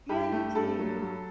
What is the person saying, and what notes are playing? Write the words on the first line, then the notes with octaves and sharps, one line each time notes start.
Yeah, you too.
G2 G4
A3
G2 A4
F#3
F#3